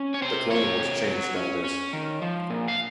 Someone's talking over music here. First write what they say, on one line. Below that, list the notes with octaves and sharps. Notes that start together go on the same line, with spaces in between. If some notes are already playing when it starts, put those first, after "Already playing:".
The Clone Wars changed all this.
Already playing: C#4
C#5
C3 C5
A#3 C#5
C3
F#3
C#4
C#4
D#3
F3
A#2
F5